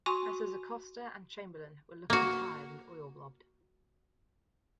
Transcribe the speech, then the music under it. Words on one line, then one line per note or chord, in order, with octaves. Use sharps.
Messrs. Acosta and Chamberlain were looking tired and oil-blobbed.
F#4 G#5 C6 C#6
A#3 F#4